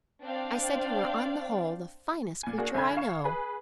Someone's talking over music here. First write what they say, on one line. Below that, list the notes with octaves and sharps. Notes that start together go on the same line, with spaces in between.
"I said you were on the whole the finest creature I know."
C4 D4 C5 D5 F5 G5
A#2 G#5
A#3 D4 F#4 G#4
C2 D3 G#5 B5 G#6
F5 C#6 E7
G#4 B4